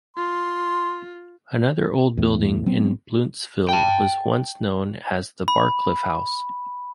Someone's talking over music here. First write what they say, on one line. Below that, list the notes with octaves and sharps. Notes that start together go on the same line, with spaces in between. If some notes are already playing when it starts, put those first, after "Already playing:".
Another old building in Blountsville was once known as the Barclift House.
F4 C6
E2 A2
F#3 B3 C4
G5 A5
B5